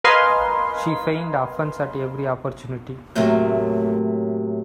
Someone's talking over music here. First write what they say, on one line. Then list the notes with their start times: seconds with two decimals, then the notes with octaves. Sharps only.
She feigned offense at every opportunity.
0.04 A#4 B4 D#5 F5 G#5 C6
3.15 A2 C3 F#3 A3 A#3